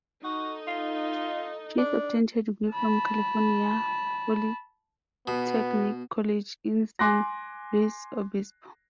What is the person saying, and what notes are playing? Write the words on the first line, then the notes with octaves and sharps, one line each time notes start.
Chase obtained her degree from California Polytechnic College in San Luis Obispo.
D#4 F#4 A4
F4
D4
A5 B5
B2 B3
G#5 C6 D6 F#6 A#6